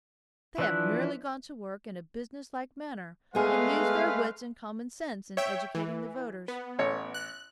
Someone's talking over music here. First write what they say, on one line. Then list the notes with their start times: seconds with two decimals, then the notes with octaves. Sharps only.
They have merely gone to work in a business-like manner and used their wits and common-sense in educating the voters.
0.58 E3 F3 D4 E5 F#6
3.35 G#3 A3 B3 G#4 B4 F5
5.37 C#5 E5 G5
5.75 E3
6.48 B3
6.79 A1 C#5
7.14 F#6